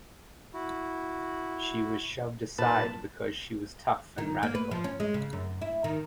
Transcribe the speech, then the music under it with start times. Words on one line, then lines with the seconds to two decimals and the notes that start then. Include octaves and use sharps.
She was shoved aside because she was tough and radical.
0.54 E4 F#4
2.59 A#2 D#4 B4 A5
4.18 D#3
4.43 A#3
4.55 B4
4.71 F3
4.84 C#4
5.00 G#3
5.14 C#3
5.33 F#2
5.62 E4
5.84 D#3